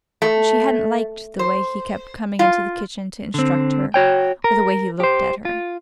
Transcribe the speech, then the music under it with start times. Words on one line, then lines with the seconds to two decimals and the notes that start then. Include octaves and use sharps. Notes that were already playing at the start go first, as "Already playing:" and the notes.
She had n't liked the way he kept coming into the kitchen to instruct her, or the way he looked at her.
0.22 A3
1.39 C5
2.39 F4
3.34 D3 C4
3.94 F#4 C#5 G5
4.44 A#4
5.00 G4 C5
5.45 F4